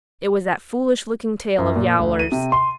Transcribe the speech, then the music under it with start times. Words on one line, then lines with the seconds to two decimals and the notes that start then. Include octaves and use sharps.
It was that foolish looking tail of Yowler's.
1.58 F#2
1.76 A#2
1.99 D2
2.19 D#7
2.32 C3
2.52 C6